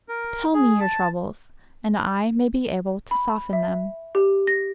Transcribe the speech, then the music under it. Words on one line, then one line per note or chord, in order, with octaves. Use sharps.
"Tell me your troubles, and I may be able to soften them."
A#4
G#4
A5
B5
E5
G4
A#6